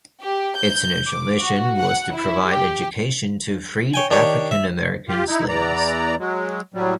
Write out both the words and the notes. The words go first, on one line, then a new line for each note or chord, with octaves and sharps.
Its initial mission was to provide education to freed African American slaves.
G4
G6
D6
F#4
F#5
E4
G4
C#5 G5 G#5
D#3 D4 G4 C#5
E5
F4 G4
D#4 E4
E2 E3 D5 A#5
F#3 G#3
A2 F#3 G3